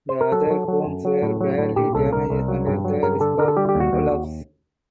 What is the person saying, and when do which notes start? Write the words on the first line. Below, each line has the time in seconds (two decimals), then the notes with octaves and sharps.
The other homes were badly damaged and at the risk of collapse.
0.09 C5
0.21 A#4
0.32 F#3 A4
0.50 F#3
0.68 F#3
0.86 F#2
1.05 F#3
1.22 A2
1.41 F#3
1.58 A2
1.76 A#2 G4
1.94 C2 A4
2.12 C2 A#4
2.30 C2
2.48 F#3
2.67 G2
2.85 F#3
3.03 G2 A#4
3.21 D3 A4
3.38 D3 A#4
3.48 A4
3.57 G3 G4
3.69 G4
3.75 D#2
3.80 F#4
3.93 D#2
4.11 D#2